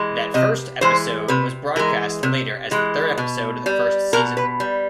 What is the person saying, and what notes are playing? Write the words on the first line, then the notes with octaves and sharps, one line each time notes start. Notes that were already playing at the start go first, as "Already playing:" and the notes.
That first episode was broadcast later as the third episode of the first season.
Already playing: E3 G#3
C3 D#5
E3 G#3 C5
C3 B4
E3 G#3 A#4
C3
E3 G#3
B2
G3
B2 A#4
B4
G3